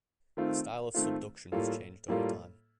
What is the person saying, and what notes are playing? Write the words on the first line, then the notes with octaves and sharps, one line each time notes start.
The style of subduction has changed over time.
D#3 A3 C4 F4
D#3 A3 C4 F4
A2 G3 A#3 F4 A4
A2 G3 A#3 F4 A4